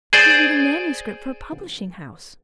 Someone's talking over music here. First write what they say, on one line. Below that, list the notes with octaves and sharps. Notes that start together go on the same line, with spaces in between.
She is reading manuscript for a publishing house.
G#4 C5 D5